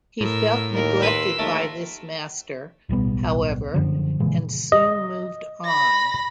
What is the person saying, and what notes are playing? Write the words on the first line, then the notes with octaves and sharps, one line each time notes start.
He felt neglected by this master, however, and soon moved on.
A2 A#4 E6
D#2 A#4
B4 C6 E6
D#2 A3 A#4
D1 B1 G3 B3
F#2 D3 F3
A#2 C#3 E3 G#3
D#5
B5 A#6